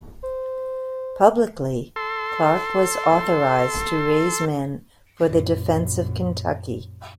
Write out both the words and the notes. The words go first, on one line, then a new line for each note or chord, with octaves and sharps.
Publicly, Clark was authorized to raise men for the defense of Kentucky.
C5
A4 C6
A#1 F#2